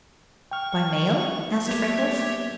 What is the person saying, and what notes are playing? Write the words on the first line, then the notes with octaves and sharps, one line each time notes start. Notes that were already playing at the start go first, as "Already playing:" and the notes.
"By mail?" asked Freckles.
G5 C#6 F6
F#3 A#3 B3 G4 C#5 E5